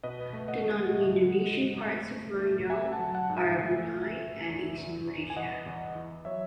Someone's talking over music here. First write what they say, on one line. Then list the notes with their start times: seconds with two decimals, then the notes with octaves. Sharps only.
The non-Indonesian parts of Borneo are Brunei and East Malaysia.
0.03 B2 B4 D#5
0.33 A3
0.48 D#5 F#5
0.62 A3
0.93 A2
1.22 G#3
1.52 G#3
1.81 A3
2.11 A3
2.40 A3
2.70 A3 E5 G#5
2.92 F#5 A5
2.99 F#3
3.14 F#5 A5
3.30 G#2
3.37 E5 G#5
3.58 A3 E5 G#5
3.88 A3
4.18 A3
4.48 E2
4.77 E2
5.07 E2
5.30 G#5
5.36 E3 D#5 F#5
5.66 E2
5.95 E3
6.25 F#3 C#5 E5